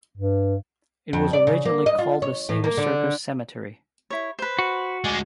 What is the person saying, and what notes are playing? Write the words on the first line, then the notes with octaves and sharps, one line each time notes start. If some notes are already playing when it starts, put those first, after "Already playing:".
It was originally called the Singer Circus Cemetery.
G2
F2
D5
C#3
A#3
D#5
F4
C#5
A2
A#3
D3
E4 C#5
B4 C5
F#4
D2 G#3 D5 G#5